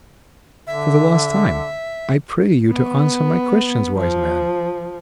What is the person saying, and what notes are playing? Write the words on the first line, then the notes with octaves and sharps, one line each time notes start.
"For the last time, I pray you to answer my questions, wise man."
D3 E5
B3
F3